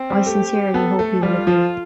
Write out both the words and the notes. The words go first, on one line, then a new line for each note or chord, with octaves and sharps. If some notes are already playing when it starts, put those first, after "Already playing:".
I sincerely hope he will agree.
Already playing: C4
G3
A3 G4
B3 A4
A3
G3 F4
F3